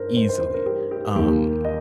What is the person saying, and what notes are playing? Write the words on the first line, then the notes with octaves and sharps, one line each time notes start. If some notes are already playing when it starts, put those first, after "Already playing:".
easily, um,
Already playing: G2 A#4 C5
C5
C5
C5
A#4
G4
G4
D#2 D#3 A#3 G4
D#5